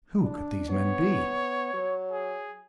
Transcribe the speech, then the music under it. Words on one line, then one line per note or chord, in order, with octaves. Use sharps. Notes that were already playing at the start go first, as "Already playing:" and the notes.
Who could these men be?
D4
B3 C#5
F#3
G#4